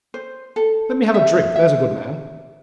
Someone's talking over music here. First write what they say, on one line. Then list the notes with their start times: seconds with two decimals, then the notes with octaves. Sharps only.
Let me have a drink, there's a good man.
0.14 C5
0.56 A4
1.14 E5
1.56 E5